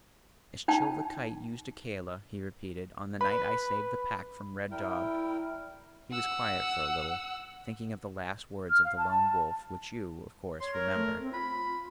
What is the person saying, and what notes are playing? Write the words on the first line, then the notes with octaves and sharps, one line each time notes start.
"As Chil the Kite used Akela," he repeated, "on the night I saved the Pack from Red Dog." He was quiet for a little, thinking of the last words of the Lone Wolf, which you, of course, remember.
D#4 G5 A5
B4 B5
G3 E4 A#4 G5
F#5 E6
F6
F5
A5
C#5 C6
A#4
A3
C4
F4 B5